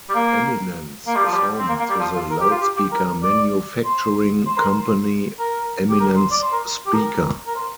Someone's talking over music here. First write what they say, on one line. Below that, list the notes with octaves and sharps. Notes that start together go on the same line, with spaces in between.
Eminence is home to the loudspeaker manufacturing company, Eminence Speaker.
G3
A#3
A#3
G3
F3
G3
C4
A#3
A#3
G3
F3
F4
A#4
G4
F4
G4
G4
A#4
D5
C5
C5
A#4
C5
A#4
G4
A#4
C5
D5
C5
A#4
G4
A#4
A#4
C5